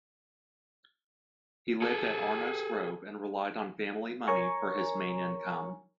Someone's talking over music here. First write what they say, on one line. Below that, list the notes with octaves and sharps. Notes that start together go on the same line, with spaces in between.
He lived at Arnos Grove and relied on family money for his main income.
G#4 A4
A#4 C#5 G#5 A#5 C#6